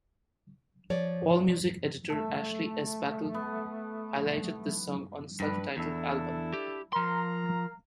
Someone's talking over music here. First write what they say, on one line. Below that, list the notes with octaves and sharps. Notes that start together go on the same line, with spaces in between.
Allmusic editor Ashely S. Battel highlighted this song on self-titled album.
F3 C#5 D5
A3 A4 E5
B3
G2 D4 B4
E2 D4 E4 A4
G4
F3 A#4 F5 A#5 C6